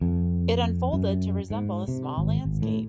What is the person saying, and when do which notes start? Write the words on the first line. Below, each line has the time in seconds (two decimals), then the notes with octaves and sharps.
It unfolded to resemble a small landscape.
0.01 F2
0.93 F#2
1.50 G#2
1.88 C3
2.18 G#1
2.45 G#1
2.62 A2